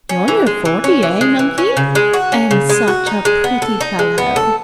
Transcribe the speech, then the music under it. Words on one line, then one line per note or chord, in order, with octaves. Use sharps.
You're near forty, eh, Nunkie? and such a pretty fellow!
C#4
E3
G#3
E3
C#4
E3
G#3
E3
C#4
C#3
G#3
F#4
C#4
C#3
G#3
F#4
D#4
G#3
B3
A4
D#4
G#3
B3
A4